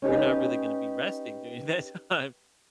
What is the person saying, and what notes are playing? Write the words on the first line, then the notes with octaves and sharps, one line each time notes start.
you're not really gonna be resting during that time,
C#4 D#4 G4 B4